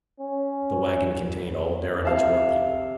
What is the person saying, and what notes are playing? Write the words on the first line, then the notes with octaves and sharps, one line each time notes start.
The waggon contained all Derriman's workpeople.
C#4
C3 F5 A5